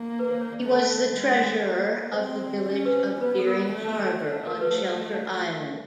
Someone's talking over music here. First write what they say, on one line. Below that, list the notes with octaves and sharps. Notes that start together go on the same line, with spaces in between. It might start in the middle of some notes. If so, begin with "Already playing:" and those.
He was the treasurer of the village of Dering Harbor on Shelter Island.
Already playing: A#3
B4
C5
C#5
D5
A3 D#5
G#3 D#5
E5
A#3 D#5
D5
C5
C4 C#5
D5
C#4 D#5
B4
C5
C5
B3 B4
A4
A#4
A3
A3
A#4
B4
C5
D#5
D#5
E5